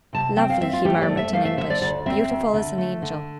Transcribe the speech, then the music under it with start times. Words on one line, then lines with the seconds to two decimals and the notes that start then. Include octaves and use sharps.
"Lovely!" he murmured, in English; "beautiful as an angel!"
0.13 C3 A5
0.37 C4 G5
0.50 F5
0.61 C4 E5
0.73 F4
0.85 A3 G4
1.02 D5
1.09 A3
1.17 E5
1.33 A3 F5
1.45 E5
1.57 D3 E5
1.70 D5
1.82 D2 D5
2.06 C4 E5
2.30 D2
2.54 D3
2.78 A3
3.02 D3